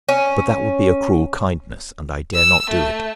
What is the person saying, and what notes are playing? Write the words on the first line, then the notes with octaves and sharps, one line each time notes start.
But that would be a cruel kindness, and I dare not do it.
C#4
E6
A3